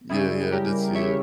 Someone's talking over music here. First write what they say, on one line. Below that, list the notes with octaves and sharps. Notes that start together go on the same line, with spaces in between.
Yeah, yeah, I did see it.
C#3 G3 C#4 E4 G#4
G4 A#4
C#5 E5